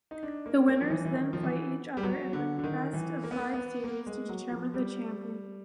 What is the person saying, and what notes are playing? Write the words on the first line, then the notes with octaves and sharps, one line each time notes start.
The winners then play each other in a best-of-five series to determine the champion.
D#4
D4
A#3
A#3
F3
E3
E3
D#3
F3
E3
G3
F#3
D3
D3
D#3
E3
A#3
B3
A#3
B3
A#3
G#3
F#3
F3
G3